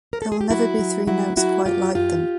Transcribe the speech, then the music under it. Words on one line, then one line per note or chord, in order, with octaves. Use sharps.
There will never be three notes quite like them.
A#4
A4
G#4
G4
F#3 E4 F#4
F#3
F#3 E4 F#4
F#3 E4 F#4
F#2 F4 G4
F#2 F4 G4